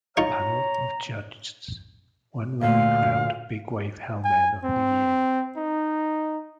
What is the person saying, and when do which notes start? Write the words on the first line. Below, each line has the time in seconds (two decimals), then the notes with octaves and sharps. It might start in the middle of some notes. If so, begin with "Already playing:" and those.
A panel of judgeds, one will be crowned "Big Wave Hellmen of the Year".
0.17 D#4 F4 C#5 A#5 C#6
2.61 D2 A#2 F5
4.24 G#5
4.64 C4
5.57 D#4